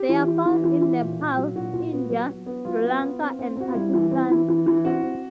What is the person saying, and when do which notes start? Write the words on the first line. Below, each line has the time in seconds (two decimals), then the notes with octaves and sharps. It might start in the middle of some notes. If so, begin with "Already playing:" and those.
They are found in Nepal, India, Sri Lanka and Pakistan.
Already playing: G4
0.09 E3
0.27 E3
0.46 E3
0.64 E3
0.82 E3
1.00 A#2
1.19 A#2
1.37 F#3
1.55 A#2 F#4
1.73 A#2
1.92 B3
2.10 F#3
2.29 F#3
2.46 B3
2.65 F#3 F4
2.84 B3
3.01 B3
3.21 C4
3.39 C4
3.57 C4 F#4
3.68 F4
3.75 G3 E4
3.94 E3
4.11 C4
4.30 E3
4.49 E3
4.66 E3
4.85 C4 F#4
5.03 C4